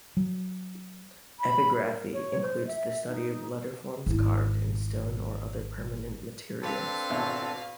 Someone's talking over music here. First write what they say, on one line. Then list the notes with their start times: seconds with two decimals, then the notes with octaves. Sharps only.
Epigraphy includes the study of letterforms carved in stone or other permanent materials.
0.17 F#3
1.40 B5
1.82 A#4
2.13 C#5
2.42 C5
2.67 E5
3.08 D#4
4.06 G#1 E4
6.62 C4 D4 A4 B4 F5
7.10 G#1 B2 E5